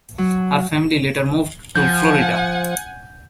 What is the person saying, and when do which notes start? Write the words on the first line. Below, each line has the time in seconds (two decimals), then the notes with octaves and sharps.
Her family later moved to Florida.
0.18 F#3
1.76 F3 F#5 G#5 G6